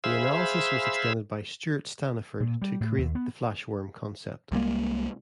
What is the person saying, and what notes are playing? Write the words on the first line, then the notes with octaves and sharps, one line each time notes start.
The analysis was extended by Stuart Staniford to create the flash worm concept.
G#4 C5 E5 F5 B5 E6
A#2
G3
A2
D#2
B3
C2 G3 G#3 A#3